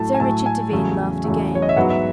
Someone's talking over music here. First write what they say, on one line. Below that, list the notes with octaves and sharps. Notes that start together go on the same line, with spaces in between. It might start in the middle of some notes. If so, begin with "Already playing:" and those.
Sir Richard Devine laughed again.
Already playing: A2 F#3 A3 A5
G#5
A2 F#3 A3 A5
G#5
E2 C#3 F#3 A3
E2 C#3 F#3 A3
C#5
D#5
E5
G#2 F#3 B3 F#5
E5